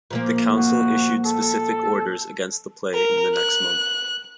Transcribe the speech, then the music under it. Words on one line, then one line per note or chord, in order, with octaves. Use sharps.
The Council issued specific orders against the play in the next month.
A#2 F3 A#3
F#4
A4
A#4
F#6